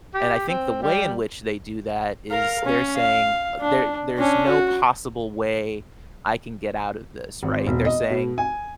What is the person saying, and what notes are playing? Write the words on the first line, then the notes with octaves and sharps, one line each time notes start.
and I think the way in which they do that is, they're saying, "There there's no possible way I can get out of this," right? They're saying,
G4
C4
G3
A#4 F5
C#4
F5
D4
C#4 D4
F#4
G#1
E1
D#5
B2
G#5